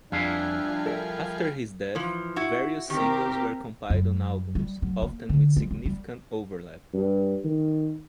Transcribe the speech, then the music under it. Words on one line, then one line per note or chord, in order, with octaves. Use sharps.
After his death, various singles were compiled on albums, often with significant overlap.
F2 F3 G3 D4 E4 G#4 B4 F5
A4 A#4 E5
E3 F3
E4 F#4
D#3 C4 G4 A#4
F#2
G3
F#3
A#3
D3
G#3
G#3
G3
G2
D#3